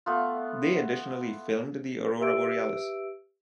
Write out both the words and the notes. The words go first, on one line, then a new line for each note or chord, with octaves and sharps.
They additionally filmed the Aurora Borealis.
A3 B3 F4
G4 B4 E5 E6 D7